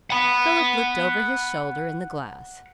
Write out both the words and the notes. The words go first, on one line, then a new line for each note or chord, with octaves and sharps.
Philip looked over his shoulder in the glass.
F#5 B5